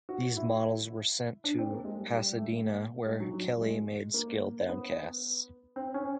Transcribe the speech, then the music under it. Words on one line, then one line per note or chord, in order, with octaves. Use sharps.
These models were sent to Pasadena, where Kelley made scaled down casts.
F#4
E4
D4
C4
A#3
G#3
G3
G3
A3
A#3
G#3
F#3
F#3
G#3
A#3
B3
C4
C#4